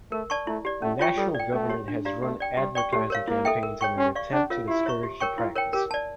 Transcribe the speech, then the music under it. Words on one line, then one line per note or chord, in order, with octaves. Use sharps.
The national government has run advertising campaigns in an attempt to discourage the practice.
A3 A#4
D5 A5 C#6
A3 E4
G4 D5
A3 C#4
F4 C#5 G5 C#6
G3 A4
D5 G5
A3 C#4
G4 C#5
D4
G4 D5 F5 A#5
A3 G4
D5 G5
G3 G4
D5 G5 C#6
A3 G4
A#4 C#5 F5
A#3 E4
A4 E5 G5
A#4
C#5 G5 C#6
C#4 G4
D5 F5 C#6
C#4 D4
F4 A#4 C#5 F5
E4 G4
C#5 E5 A#5 C#6
G4
A#4 C#5 G5 C#6
E4 F4
A#4 C#5 G5
G4 A#4
D5 A5